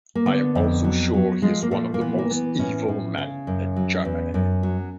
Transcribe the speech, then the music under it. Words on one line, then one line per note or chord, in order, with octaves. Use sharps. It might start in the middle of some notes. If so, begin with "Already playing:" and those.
I am also sure he is one of the most evil men in Germany.
A#3
D3 B3
F2
F#3
F#3
F3 G#3
A#3
A#2 A3
A#3
E3 B3
A#3
E3 B3
A2 C#4
A2
C#3
F#2
F#3
E2
F#2
F#3